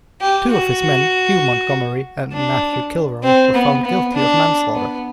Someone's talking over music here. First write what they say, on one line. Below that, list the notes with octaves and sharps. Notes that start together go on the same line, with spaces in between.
Two of his men, Hugh Montgomery and Matthew Kilroy, were found guilty of manslaughter.
G4
F#4
D4
C4
B3
B3
D4
B3